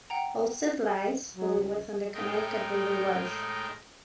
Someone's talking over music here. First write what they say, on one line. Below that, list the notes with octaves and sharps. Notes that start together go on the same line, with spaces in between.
Alstead lies fully within the Connecticut River watershed.
F#5 G5 A#5
F#3
C#2
A2 G#3 A3 D#4 A#4 G5